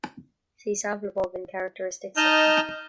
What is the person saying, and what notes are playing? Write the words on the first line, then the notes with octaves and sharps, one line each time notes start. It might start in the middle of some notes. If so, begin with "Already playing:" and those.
See sample above in Characteristics Section.
D#4 D#5 A5 F6 G6